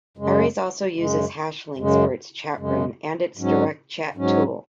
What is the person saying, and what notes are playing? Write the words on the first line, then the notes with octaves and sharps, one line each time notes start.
Ares also uses hashlinks for its chatrooms and its direct chat tool.
F#2 C#3 G#3
F#2 C#3 G#3
F#2 C#3 G#3
F#2 C#3 G#3
G#2 F#3 C#4
G#2 F#3 C#4